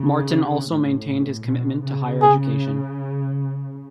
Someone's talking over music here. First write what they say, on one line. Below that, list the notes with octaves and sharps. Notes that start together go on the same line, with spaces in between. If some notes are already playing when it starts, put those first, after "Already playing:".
Martin also maintained his commitment to higher education.
Already playing: C#3
A2
B2
C#3
G#4